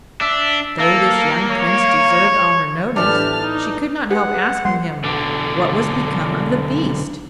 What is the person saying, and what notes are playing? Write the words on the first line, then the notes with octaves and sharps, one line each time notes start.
Though this young prince deserved all her notice, she could not help asking him what was become of the beast.
D4 E5
A#3 A4
C#5
A2 E3 B3 D4 G4 A5 F6
D#4
G4 G#4 B4 F#5
G3 A#3 F#5 C6
B1 D3